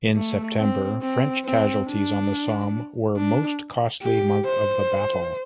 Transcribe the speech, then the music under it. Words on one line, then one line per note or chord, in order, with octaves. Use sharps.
In September French casualties on the Somme were most costly month of the battle.
A3
C4
C4
C4
D4
D4
G4
C5